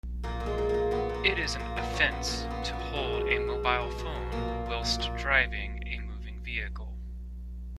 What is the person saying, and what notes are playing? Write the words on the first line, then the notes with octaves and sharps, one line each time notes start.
It is an offence to hold a mobile phone whilst driving a moving vehicle.
A#2 A#3
A#2
G#3
A#2
A#2 A#3
A#2 B3
A#2
A#3
A#2
A#3
A#2
A#2 A#3
A#2 B3
A#2 C#4
A#2 B3
A#2 A#3
A#2
B3
A#2
B3
A#2
B2 G#3
B2
B2
B2
B2
B2
B2
B2
A#2 A#3
A#2
A#2
A#2
A#2